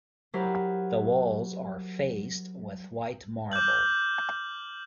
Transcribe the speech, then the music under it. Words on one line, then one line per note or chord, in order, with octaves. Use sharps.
The walls are faced with white marble.
F#3 E4 G4 A#4 C5
D6 F6 G6 F#7